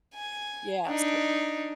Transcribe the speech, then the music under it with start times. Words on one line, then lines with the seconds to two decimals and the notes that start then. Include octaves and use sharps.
Yeah, so
0.15 G#5
0.88 D4 D#4